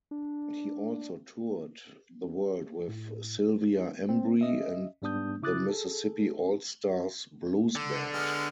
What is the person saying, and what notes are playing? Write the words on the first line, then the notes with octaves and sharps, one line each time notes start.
He also toured the world with Sylvia Embry and the Mississippi All-Stars Blues Band.
D4
A2
C4
C#4 D#5 E5
G#2 G3 B3 D4 D#6 G6
C#3 E4 D6 D#6 F#6 A6
G#4 A4
D3
G#3 B3 F6